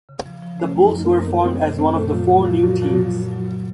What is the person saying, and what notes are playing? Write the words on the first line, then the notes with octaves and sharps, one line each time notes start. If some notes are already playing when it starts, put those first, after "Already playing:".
The Bulls were formed as one of the four new teams.
C#3
F3
F3
A3 C#4
F#2
D#4
F#2
A#3
C4
D#3 A#3
D#3 C4
A3
F#2 C4
A#2 A3
A#2 F3
A#2 F#3
A#2 F3
A#2 F#3
A#2 F3
F#3
F#3
A#2
F#3
C#3